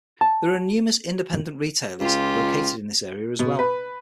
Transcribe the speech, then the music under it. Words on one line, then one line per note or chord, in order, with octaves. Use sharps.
There are numerous independent retailers located in this area as well.
A5
C#2 F4 G4
B2
B4